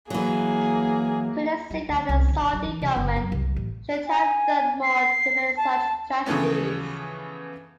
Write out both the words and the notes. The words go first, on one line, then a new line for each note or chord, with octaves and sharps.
Critics say that the Saudi government should have done more to prevent such tragedies.
E3 F#3 A#3 G#4
G3
D2
C2
D3
A#1
G3
E3
C2
F#1
F#2
C2
A1
G#5
C7
A5
C#3 E3 F3 A3 B3 C#4